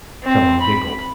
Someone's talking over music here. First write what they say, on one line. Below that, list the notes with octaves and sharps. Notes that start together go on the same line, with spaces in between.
Some one giggled.
C4
B5